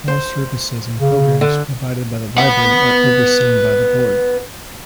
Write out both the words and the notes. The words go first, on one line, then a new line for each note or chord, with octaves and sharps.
All services and programs provided by the library are overseen by the board.
C5
C#3
D3
B4 F#5